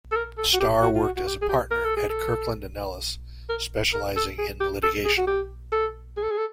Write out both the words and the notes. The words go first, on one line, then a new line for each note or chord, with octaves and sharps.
Starr worked as a partner at Kirkland and Ellis, specializing in litigation.
A4
A#4
A4
F#4
G4
F#4
F4
F#4
F#4
G4
G#4
G4
A#4
A4
G#4
A4
A#4
A#4
A4
G#4
G4
A4
G#4
F#4
G4
A4
G#4
A4
G#4
A4